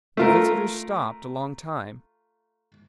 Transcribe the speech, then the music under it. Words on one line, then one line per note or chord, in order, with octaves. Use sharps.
The visitors stopped a long time.
A3 F4 A#4